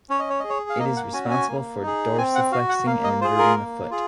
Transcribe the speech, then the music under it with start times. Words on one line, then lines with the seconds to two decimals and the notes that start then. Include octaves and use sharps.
It is responsible for dorsiflexing and inverting the foot.
0.09 C#4 C#5
0.19 D#5
0.30 C#5
0.40 G#4 D#5
0.49 C#5
0.70 F5
0.79 A#3 D#5
0.96 F#5
1.13 C#4 F#4 G#5
1.31 G#5
1.48 A#3
1.82 D#4 G#4
2.17 C4 G#5
2.35 F#5
2.52 F#4 F5
2.69 F#5
2.86 A#3 F5
3.04 D#5
3.21 F4 C5
3.24 G#4
3.38 A#4
3.56 A#3
3.91 F4 G#4